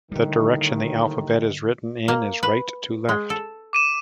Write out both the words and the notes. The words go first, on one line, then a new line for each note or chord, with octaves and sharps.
The direction the alphabet is written in is right to left.
D#2 A2 D3 D#3 G3
A#3
B4
G#3
A4
D6 D#7 E7